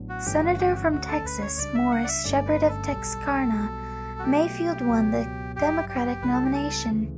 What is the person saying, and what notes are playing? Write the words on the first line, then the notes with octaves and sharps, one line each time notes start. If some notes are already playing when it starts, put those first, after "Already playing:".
Senator from Texas, Morris Sheppard of Texarkana, Mayfield won the Democratic nomination.
Already playing: A1 A2 F#3 B3 D4
F#4
G1 G2 E3 A3 C#4 G4
F#4
G4
F#4
D2 D3 A3 C#4 F#4
A4
B4
C#5
C#2 C#3 G3 D4 D5
E5
F#5
D5
E5
G1 G2 D3 A3 C#4 D5
B4
A4
B1 B2 G3
B1 B2 G3
F#4
B2 F#3 A3 G4
C#2 B2 F#3 B3
A1 G2 F#3 G4
G4
C#2 C#3 G3 B3 E4 B4
A4
G4
A4
D2 C#3 E3 A3